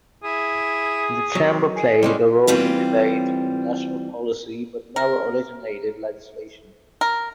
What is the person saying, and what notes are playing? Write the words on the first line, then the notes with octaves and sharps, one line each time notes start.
The Chamber played a role in debate on national policy but never originated legislation.
E4 G#4
C3 F#3
G#4
A2 G3 G#3 C#4 C5
E3 G3 C4 F4
A#4
A#4